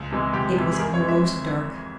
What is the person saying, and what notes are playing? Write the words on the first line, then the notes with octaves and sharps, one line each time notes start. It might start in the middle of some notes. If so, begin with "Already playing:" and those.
It was almost dark.
Already playing: C#2
C3 E3 G#3
C#2 G4
C3 E3 G#3
G#4
F2 A#4
C#5
E3 G#3
E5